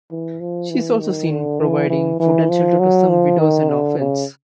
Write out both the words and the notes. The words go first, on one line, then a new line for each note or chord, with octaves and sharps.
She is also seen providing food and shelter to some widows and orphans.
E3
F3
E3
D#3
D3
E3
E3
E3
F3
F#3
F3
D#3
D3
C#3